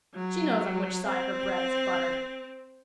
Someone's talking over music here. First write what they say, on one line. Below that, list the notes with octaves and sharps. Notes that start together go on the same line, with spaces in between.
She knows on which side her bread is buttered.
F#3
C4